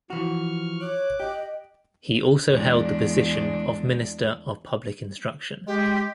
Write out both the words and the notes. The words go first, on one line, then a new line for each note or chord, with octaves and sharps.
He also held the position of Minister of Public Instruction.
E3 F3 F#4 C#6 F6
C#5 D6 F#6
G4 D#5
E2 G#3 D4
G#3 G4